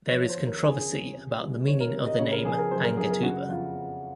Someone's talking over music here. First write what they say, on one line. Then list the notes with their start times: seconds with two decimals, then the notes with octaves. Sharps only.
There is controversy about the meaning of the name "Angatuba".
0.11 F3 C#5
0.29 C5
0.37 D#2
0.46 A#4
0.63 C#3 G#4
0.90 C#3
1.15 C3
1.42 C2
1.67 D#3 C#5
1.80 A#4
1.93 C3
2.06 D#5
2.19 C#3 C#5
2.32 A#4
2.45 F3 G#4
2.58 A#4
2.71 F#2 C5
2.84 A#4
2.97 F#2 G#4
3.10 A#4
3.23 C#3 F#4
3.49 F2 F4
3.75 F3